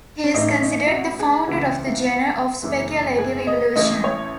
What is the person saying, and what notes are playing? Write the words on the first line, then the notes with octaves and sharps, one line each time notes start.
He is considered the founder of the genre of speculative evolution.
C#4
A1 A2 E3 D#4
C#4
D#4
E4
F#4
G#4
C#2 C#3 E3 F#4
E4
F#1 F#2 E3
G#4
D#5
A1 A2 E3 D#5
C#5